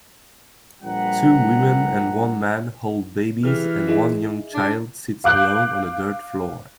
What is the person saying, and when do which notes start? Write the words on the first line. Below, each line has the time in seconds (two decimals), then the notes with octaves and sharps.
Two women and one man hold babies and one young child sits alone on a dirt floor.
0.83 A#1 G3 B4 F#5 A#5
3.43 E3 G4 G#4 F6
3.87 D#4 E4 G#4
4.54 D4
5.24 F5 D6 F#6 G6